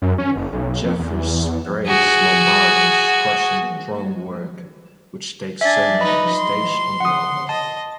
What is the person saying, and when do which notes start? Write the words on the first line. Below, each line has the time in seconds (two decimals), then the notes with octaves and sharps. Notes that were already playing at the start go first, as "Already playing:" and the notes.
Jeffries praised Lombardo's "crushing drum work" which takes center stage on the album.
0.02 F#2
0.18 C#4
0.36 F#1
0.53 B1
0.84 F2
0.99 E2
1.87 F#4 G#4
5.61 D4 E5 G#5 A6
6.00 D#4 B4 D#5 B5
6.35 C6
7.00 F#5 D#6
7.49 D#5 A5